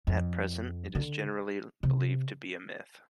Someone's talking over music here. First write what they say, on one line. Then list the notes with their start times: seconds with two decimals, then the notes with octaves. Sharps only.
At present, it is generally believed to be a myth.
0.07 F2
0.95 D3
1.83 C3